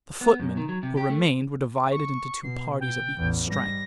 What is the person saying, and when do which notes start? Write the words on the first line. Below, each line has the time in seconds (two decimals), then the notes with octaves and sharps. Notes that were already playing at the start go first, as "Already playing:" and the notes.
The footmen who remained were divided into two parties of equal strength.
0.21 B3
0.39 F#2
0.57 D#3
0.69 F#3
0.83 C3
0.97 G4
1.10 A3
1.91 C#6
2.43 B2 C7
2.80 G5
3.18 A1 E2
3.50 G#2 G3 A#6